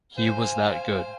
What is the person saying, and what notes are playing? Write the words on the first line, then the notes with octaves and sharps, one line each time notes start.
He was that good.
C5 F5 G#5